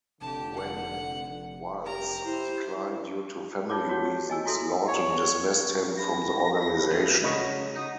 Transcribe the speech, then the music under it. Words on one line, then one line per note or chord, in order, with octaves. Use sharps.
When Walz declined due to family reasons, Lawton dismissed him from the organization.
F1 D3 G4 A5
F#5
G4 A#4 A#5
E4 C5
D#4 F4 C#5 D6
F#4 C#5 F#5
G4
D#5 G#5 E6
E4 F#4 A4 E5 C6 D#6
C#5
B5 A#6
F3 A3 C#4
C#3 F#3 C#5 D#5 B5 C#6
D#4 F#5 D#6